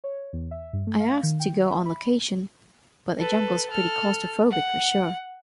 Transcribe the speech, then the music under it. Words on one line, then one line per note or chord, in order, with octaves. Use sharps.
I asked to go on location, but a jungle's pretty claustrophobic, for sure.
C#5
E2
E5
G2
A3
F5
D#3
G5
E5
B5
A4 B4
A4 F6
F#5